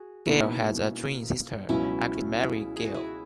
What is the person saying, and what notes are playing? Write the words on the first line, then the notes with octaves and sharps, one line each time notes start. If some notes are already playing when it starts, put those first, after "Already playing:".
Gail has a twin sister, actress Mary Gail.
Already playing: F#4 G#4
B2 A#3 C#4 D#4 E4
C#2 B2 F#3 C#4 E4
E4 G#4
G#4
F#4
E4 G#4